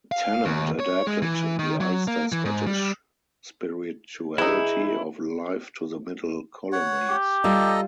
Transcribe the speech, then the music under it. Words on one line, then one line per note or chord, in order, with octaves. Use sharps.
Tennent adapted the Ulster Scottish spirituality of life to the middle colonies.
F5
D#2
C#5
G#3
E3
D#3
F#3
A#3
E3
G#2
G3
E3 D#4 E4 G#4
C#5 F#5
G4
G3 F4 A4 D#5 A#5